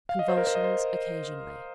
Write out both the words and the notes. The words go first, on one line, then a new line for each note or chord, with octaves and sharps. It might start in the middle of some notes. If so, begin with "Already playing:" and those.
Convulsions occasionally.
F5
D#5
C5
A#4
C5
D#5
C5